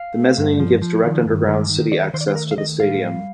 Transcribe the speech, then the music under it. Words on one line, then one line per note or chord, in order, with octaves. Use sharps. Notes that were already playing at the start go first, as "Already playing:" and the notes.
The mezzanine gives direct underground city access to the Stadium.
Already playing: F5
A3
G2
F3
F3
D#3
G2
D#3
D#3
D#3 D5
D#3 C5
D5
C5
A3 A#4
F5
D#3 D#5
A2 F5
G3